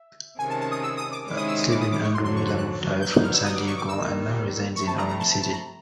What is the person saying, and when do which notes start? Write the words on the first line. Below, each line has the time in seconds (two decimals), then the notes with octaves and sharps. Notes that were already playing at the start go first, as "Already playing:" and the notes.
Steven Andrew Miller moved away from San Diego and now resides in Orange County.
Already playing: E5
0.39 C3 D#3 G#3 C#4 G#5
0.50 A5
0.61 A5
0.71 D#6
0.83 E6
0.97 D#6
1.12 D6
1.27 C3 D#3 G#3 C#4 E4 D6
1.37 D#6
1.48 E6
1.59 D#6
1.70 D6
1.81 D#6
1.92 D6
2.03 C#6
2.14 F2 D3 F#3 C6
2.24 C6
2.36 C#6
2.47 F#6
2.58 F#6
3.01 D3 F#3 B3 D#4 G6
3.12 F#6
3.23 F6
3.34 E6
3.45 D#6
3.56 D6
3.67 C#6
3.77 D6
3.89 D#2 D#3 G3 E6
4.76 C3 F3 A3 C4 E4 C#6
4.87 A5
4.98 A#5
5.09 A#5
5.20 A5
5.30 A5
5.42 A5
5.53 A#5